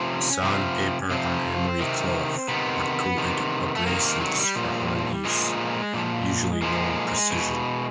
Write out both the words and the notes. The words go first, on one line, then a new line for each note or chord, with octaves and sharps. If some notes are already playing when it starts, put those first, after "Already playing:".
Sandpaper and emery cloth are coated abrasives for hand use, usually non-precision.
Already playing: C3 F3 C#4
C3 F3
C3 F3 C4
C3 D#3
C3 D#3 B3
C3 D#3
A3
C3 D#3 A#3
A#3
F#3
G3
A#2 F3
A#2 F3 G#3
A#2 F3
A#2 F3 G#3
B2